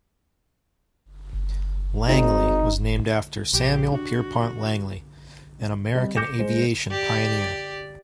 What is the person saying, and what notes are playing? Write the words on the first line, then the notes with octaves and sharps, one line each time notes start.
"Langley" was named after Samuel Pierpont Langley, an American aviation pioneer.
G#1 D#4
A#1 G4
D4 F#4
G3 C4 D#5
D6 G6 A#6 C#7 E7
G#3 C5
G4 D5